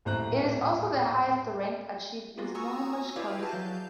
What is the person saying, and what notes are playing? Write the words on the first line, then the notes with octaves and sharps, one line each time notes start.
It is also the highest rank achieved in Snohomish County.
D#1 A2 C5 A#5 F#6
A#3 B3 F4 F#4 G#4
F#4 G#5 A#5 C#6 D#6 E6
E4 G4 B4 D5 E5 F5
E4 F#4 G#4 B4 A5
F#3 F5 G6